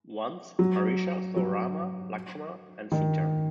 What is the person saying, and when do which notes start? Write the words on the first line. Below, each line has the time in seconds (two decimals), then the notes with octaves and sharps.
Once, Maricha saw Rama, Lakshmana and Sita.
0.59 F#3
1.36 F#3
2.92 D#3